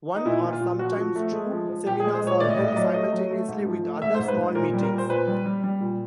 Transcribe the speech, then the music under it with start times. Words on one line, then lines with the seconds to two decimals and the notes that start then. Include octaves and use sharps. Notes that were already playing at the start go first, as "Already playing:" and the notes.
One or sometimes two seminars are held simultaneously with other small meetings.
0.16 D#4
0.25 A#2 E4
0.44 A#2
0.53 F4
0.61 A#2
0.79 F3 F#4
0.97 F3
1.15 A3
1.32 G#3
1.52 F3
1.69 F3
1.86 A#2 G4
2.00 G#4
2.04 G#3
2.13 C5
2.23 A#2 C#5
2.40 A2 D5
2.50 D#5
2.58 A2 D5
2.68 D#5
2.76 F#3 D5
2.94 A3 D#5
3.12 F#3
3.30 A3
3.48 G#2
3.66 F3
3.84 A3
4.02 G#2 E5
4.15 C5
4.19 G#2
4.28 B4
4.37 G#2
4.42 C5
4.55 A#2 A#4
4.73 G3
4.83 A#4
4.92 A#2
4.98 C5
5.09 A#2 B4
5.27 G3
5.46 G3
5.64 G3
5.81 A#2